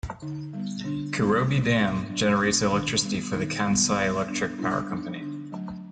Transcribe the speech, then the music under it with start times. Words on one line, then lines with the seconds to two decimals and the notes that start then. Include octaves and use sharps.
Kurobe Dam generates electricity for the Kansai Electric Power Company.
0.22 D3 D#4
0.53 G3 B3
0.84 D3 D4
1.16 G3 B3
1.47 F#3
1.78 B3 D4
2.09 F#3 D4
2.41 B3 D4
2.71 D#3 D4
3.03 G3 B3
3.34 D#3 D#4
3.65 G3 B3
3.97 G3
4.28 B3 D4
4.59 G3 D4 E4
4.90 B3 D4 D#4
5.21 D3 D4
5.52 F#3 A3